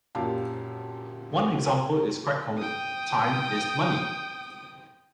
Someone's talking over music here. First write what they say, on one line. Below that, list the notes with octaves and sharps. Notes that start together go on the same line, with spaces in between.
One example is quite common: "time is money".
F#2 A#2 G4 F5 A5
G5 D#6